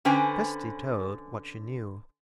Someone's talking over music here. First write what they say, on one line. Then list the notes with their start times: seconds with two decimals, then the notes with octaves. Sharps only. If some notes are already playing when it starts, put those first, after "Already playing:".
Kirsty told what she knew.
0.05 D3 C#4 B4 C5 G5 G#5